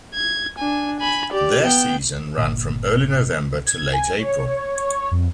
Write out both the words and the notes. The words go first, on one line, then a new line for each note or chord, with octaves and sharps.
Their season ran from early November to late April.
G#6
D4 G#5
G#5 B5
G4 D5
B3 G5
G1 A#2
G#6
G#5
C#5
F2